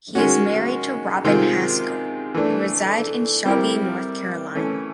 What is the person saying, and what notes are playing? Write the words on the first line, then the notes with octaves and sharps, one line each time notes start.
He is married to Robin Haskell, they reside in Shelby, North Carolina.
D#3 G#3 C#4 F#4
C3 D#3 G#3 C4 F4
E3 A3 D4
G3 C4 E4 G4 A#4
E3 A3 C#4